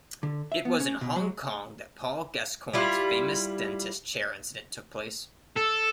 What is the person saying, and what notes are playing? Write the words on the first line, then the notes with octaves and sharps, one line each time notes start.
It was in Hong Kong that Paul Gascoigne's famous dentist chair incident took place.
D3
E5
B3
C#4
B2
F#3
G3 E4 F4
A4